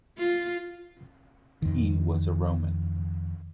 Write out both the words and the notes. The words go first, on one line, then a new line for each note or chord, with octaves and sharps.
He was a Roman.
F4
F2 D#3